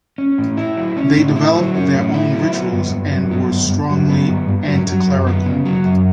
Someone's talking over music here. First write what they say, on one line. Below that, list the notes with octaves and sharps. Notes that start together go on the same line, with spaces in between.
They developed their own rituals, and were strongly anticlerical.
C#4
A2
E4
F#3
C#4
A2
E4
F#3
C#4
A2
E4
F#3
B3
G2
G2
F#3
B3
G2
G2
F#3
B3
G2
G2
F#3
F#3
F#2
B3
C#3
F#3
F#2